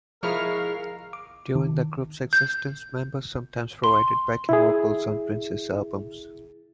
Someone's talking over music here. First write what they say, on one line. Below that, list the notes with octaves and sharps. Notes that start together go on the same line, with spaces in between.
During the group's existence, members sometimes provided backing vocals on Prince's albums.
F3 G#3 E4 A#4 F5 C#6 F6
D6
D#3
G6
C6
E4 G#4